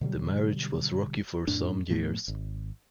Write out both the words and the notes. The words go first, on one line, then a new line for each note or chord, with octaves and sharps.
The marriage was rocky for some years.
B2 D3 F#3 G3
F2 A2 D4
A2 F3 A3 B3
G#1